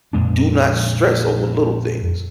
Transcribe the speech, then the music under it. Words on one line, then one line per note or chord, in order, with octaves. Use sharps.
Do not stress over little things,
F2 A#2 G#3 D4